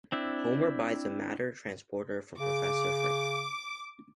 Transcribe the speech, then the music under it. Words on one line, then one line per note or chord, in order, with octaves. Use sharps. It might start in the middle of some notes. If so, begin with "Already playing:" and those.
Homer buys a matter transporter from Professor Frink.
C4 D4 E4
C#3 D6